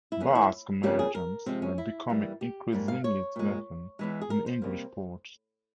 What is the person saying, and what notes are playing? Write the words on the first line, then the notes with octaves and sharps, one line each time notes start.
Basque merchants were becoming increasingly threatened in English ports.
E4
E2 E3 A#3 C#4
E4
F2 C#3 G3 A#3 G4
G#4
A#4
C3 F3 G#3 C4
C#4
E4
G2 E3 G3 A#3
G4
G#2 G3 A#3
F5
C#5
A#2 G#3
E2 E3 G#3
G#4
A#4
C5
C3 G3 A#3